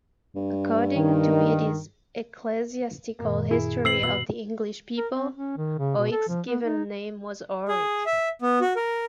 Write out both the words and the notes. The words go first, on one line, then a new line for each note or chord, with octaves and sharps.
According to Bede's "Ecclesiastical History of the English People", Oisc's given name was Orric.
G2
D#3
F#2 A#2 D#3 A#3
E4 G#4
C4 B4 E6 C7 F#7
B2 B3 E6 F#7
A#4
C4
C#4
D#3
C#3
B2
A4
F3
B3
D#4
G#4
E5
B3
F#4
A#4